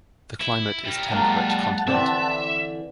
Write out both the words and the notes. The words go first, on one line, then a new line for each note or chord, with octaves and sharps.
The climate is temperate continental.
E4
G3 A#4
F#3 G#3 A#3 F#5 A5
D3 E3 C4 D5 E5